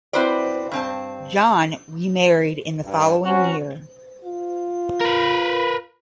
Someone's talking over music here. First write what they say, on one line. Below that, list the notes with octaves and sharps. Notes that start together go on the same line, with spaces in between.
John remarried in the following year.
C4 E4 F#4 B4 C5 D5
G2 C4 A5
G2
F#3 C4 C#4 F#4
F4
A#4 B4